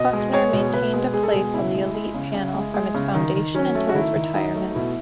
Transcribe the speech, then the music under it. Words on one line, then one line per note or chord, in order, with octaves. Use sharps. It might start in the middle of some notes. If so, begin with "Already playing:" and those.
Bucknor maintained a place on the Elite Panel from its foundation until his retirement.
Already playing: B2 D#5
G#3
G#3 C#5
B2
B2 B4
G#3
G#3 G#4
A4
B2 G#4
C#3 E4
G#3
G#3
C#3
C#3
G#3
G#3
C#3
D#3
D#3
F#3 C#4
A3
F#4
D#3 E4
D#3
F#3 D#4
A3
B2 E4